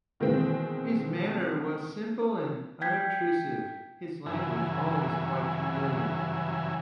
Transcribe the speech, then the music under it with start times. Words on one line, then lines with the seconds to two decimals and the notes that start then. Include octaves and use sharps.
His manner was simple and unobtrusive, his language always quite familiar.
0.20 B2 D#3 E3 G#3 A#3 C4
2.81 G5 G6 G#6 B6
4.26 G2 C#3 E3 F#3 E5 G#5